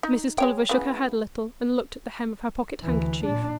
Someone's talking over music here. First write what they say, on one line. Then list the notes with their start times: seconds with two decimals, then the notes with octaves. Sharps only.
Mrs. Tulliver shook her head a little, and looked at the hem of her pocket-handkerchief.
0.03 D#4
0.38 G#3 C#5 G5
0.69 C#3 E3 B3
2.82 D2 E3
3.25 A#2 D4